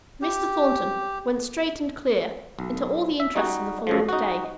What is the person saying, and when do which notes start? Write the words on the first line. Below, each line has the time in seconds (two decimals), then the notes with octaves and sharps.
Mr. Thornton went straight and clear into all the interests of the following day.
0.22 G4
2.59 B1
3.20 E5
3.36 G3 D#4 F#4
3.87 F#2 C#3 F3
4.09 D#4 F#4